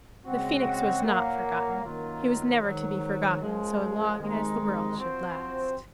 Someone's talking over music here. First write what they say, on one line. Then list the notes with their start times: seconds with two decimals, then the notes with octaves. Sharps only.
The Phoenix was not forgotten; he was never to be forgotten so long as the world should last.
0.25 C#3 G#3 C4 F#4
1.04 A#2 F#3 A#3
1.82 F#2 D#3 F#3 A#3 F4
2.60 G#2 D#3 F#3
3.39 F#2 F3 G#3
4.17 C3 D#3 G#3 D#4
4.96 F3 C4 F#4 C5